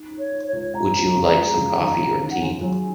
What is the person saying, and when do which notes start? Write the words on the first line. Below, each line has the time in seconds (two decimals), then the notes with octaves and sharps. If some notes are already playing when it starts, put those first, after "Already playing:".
Would you like some coffee or tea?
Already playing: D#4
0.11 D#4
0.18 C#5
0.32 D#4
0.45 C#5
0.53 C#2
0.74 C#2 A#5
0.95 C#2
1.15 C#3
1.37 G#3
1.57 C#3
1.78 D#2
1.99 C#3
2.21 D#2
2.30 F#5
2.42 D#2 G#5
2.61 F#3